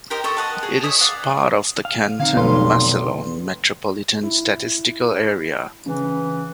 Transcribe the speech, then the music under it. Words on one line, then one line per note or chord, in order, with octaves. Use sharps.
It is part of the Canton-Massillon Metropolitan Statistical Area.
G4 A#4 C5 D#5
A4 C#6 D#6
D#5 F#5 A5
G#4
C#5 E5 D#6
D5 F5 F#5
F5
D3 C4 D#4 F5
F1 B1 B4 C6
E4
C#3 E3